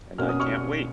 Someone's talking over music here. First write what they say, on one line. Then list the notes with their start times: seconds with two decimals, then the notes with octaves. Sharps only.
And I can't wait!
0.18 B2 A#3 C#4 F6
0.29 D#6
0.40 C#6 F6